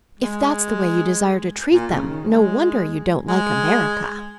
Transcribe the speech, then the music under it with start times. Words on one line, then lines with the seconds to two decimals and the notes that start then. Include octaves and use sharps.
"If that's the way you desire to treat them, no wonder you don't like America."
0.19 G#3
1.73 A#2
1.90 C#3
2.08 D#3
2.25 G#3
3.28 G#3